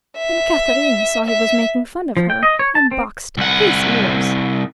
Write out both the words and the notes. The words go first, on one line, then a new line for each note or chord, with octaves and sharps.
Then Katharine saw he was making fun of her, and boxed his ears.
E5
E5
F3
G5
D#5
C#5
A5
C4
C2 F#5